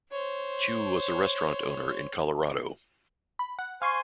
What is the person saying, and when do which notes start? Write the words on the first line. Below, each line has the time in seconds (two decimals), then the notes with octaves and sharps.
Chiu was a restaurant owner in Colorado.
0.11 C5 C#5
3.39 B5
3.59 F#5
3.82 C5 F5 G#5 C#6 C7